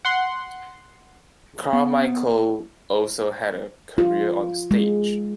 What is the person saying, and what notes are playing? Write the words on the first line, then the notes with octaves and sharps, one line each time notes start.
Carmichael also had a career on stage.
F#5 C6
B3
F4
G#3